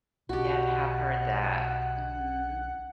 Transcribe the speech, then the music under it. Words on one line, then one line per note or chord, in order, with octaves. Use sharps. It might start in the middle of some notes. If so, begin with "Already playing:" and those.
Yeah, I've have heard that. Mhm.
B1 B2 F#4 G4 F#5